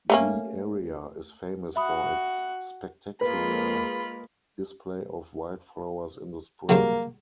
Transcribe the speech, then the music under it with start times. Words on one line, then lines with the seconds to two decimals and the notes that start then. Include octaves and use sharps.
The area is famous for its spectacular display of wildflowers in the spring.
0.10 A3 A#3 C#4
1.76 F#4 E5 F#5 B5 D#6
3.21 G#3 A#3 F4 A#4 B4 B5
6.69 G2 C#3 F#3 A#3